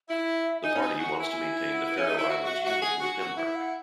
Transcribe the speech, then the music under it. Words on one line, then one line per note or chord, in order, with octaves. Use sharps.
The party wants to maintain the Faroe Islands union with Denmark.
E4 E5
D#4 G#5
C#4
D#4
F#4
E4
F#5
B3
C#4 E5
D#4
E4
F#4
F#4
F#4
G#4 F#5
F#4 G#5
F#4
E4 E5
F#5